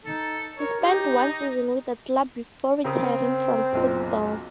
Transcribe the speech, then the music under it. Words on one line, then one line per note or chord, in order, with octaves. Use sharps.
He spent one season with the club before retiring from football.
D#4 A4
A#4 C#5
D#4 G4
C#3 C4 A#4 D#6
F#1 B1 A#2